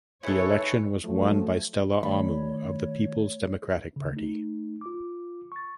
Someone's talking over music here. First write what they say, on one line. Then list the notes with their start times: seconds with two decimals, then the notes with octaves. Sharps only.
The election was won by Stella Omu of the Peoples Democratic Party.
0.23 D#4 E4 G#4 A4 B4 C#5
1.05 F3 F#3 A3
2.03 D#3 A3 C#5 D5 B5
3.96 C#3
4.13 A3 D#4
4.81 F4 D6
5.52 C#6 A6